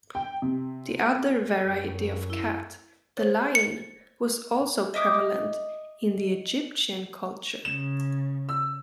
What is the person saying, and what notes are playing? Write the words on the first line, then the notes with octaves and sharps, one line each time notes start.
The other variety of cat, the lion, was also prevalent in Egyptian culture.
G5
C3
F#2
E4
C5 C#5
C#7
D#5 E5 D6 D#6
C#3 E7
E6